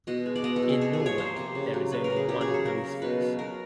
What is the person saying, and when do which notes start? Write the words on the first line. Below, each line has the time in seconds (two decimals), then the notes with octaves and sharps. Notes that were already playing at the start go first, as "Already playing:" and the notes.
In Norway there is only one police force.
0.07 B2 D#5
0.26 G#3
0.36 D5
0.44 B3 D#5
0.56 A4
0.62 B2
0.69 G#4
0.81 C3 A4
0.93 G#4
1.00 F3
1.06 C#5
1.18 A#3 C5
1.37 C3
1.55 C#3
1.74 F#3
1.92 A#3 B4
2.04 A#4
2.10 C#3
2.16 G#4
2.29 C#3 G4
2.41 G#4
2.48 F#3
2.54 A4
2.65 A#3 A#4
2.84 C#3
3.02 B2 B4
3.21 F#3
3.39 B3 A#4